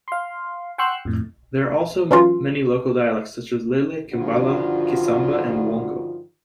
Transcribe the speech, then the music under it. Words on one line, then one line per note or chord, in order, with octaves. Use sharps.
There are also many local dialects such as Lele, Kimbala, Kisamba, and Wongo.
F5 C6
F#5 G5 C6 C#6 E6 F#6
F2 A2
E3 F#3 C#4 F4
G2 D3 D#3 F3 F4 F#4